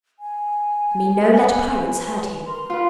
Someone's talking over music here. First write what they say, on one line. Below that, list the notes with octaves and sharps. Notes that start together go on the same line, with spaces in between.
Me no let pirates hurt him.'
G#5
B4
A#4 C6
F4 B4